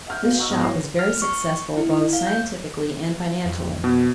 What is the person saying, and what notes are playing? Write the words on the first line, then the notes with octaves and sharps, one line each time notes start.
This shop was very successful both scientifically and financially.
E5 F#5 F6 G6
B3 F#4 F5
D#5 F#5 A#5 C#6 E6 F6
G#2 F#3 B3 B5 D#6 A#6
E4 C#5 C7
F6
C#6
E4
F5
G6
F2
B2